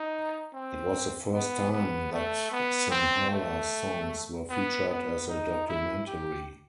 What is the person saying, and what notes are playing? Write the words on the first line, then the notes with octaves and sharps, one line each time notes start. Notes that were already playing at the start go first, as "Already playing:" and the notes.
It was the first time that Sinhala songs were featured as a documentary.
Already playing: D#4
C4
B3
B3
A3
B3
C4
A3
B3
B3
D#4
E4
G4